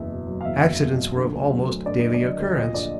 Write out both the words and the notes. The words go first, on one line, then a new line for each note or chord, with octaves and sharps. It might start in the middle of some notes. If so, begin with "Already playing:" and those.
Accidents were of almost daily occurrence.
Already playing: F#1 E2 E5
B2
F#3
F5
E2 E5
F#1
B2
F#3
D3
D2
F#3
D2
D3 D5
D2 D#5
D5
F#3
D2
A#2 D#5
A#1 D5